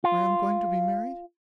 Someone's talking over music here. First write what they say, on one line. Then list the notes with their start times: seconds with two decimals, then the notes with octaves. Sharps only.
"Where I am going to be married?"
0.04 F4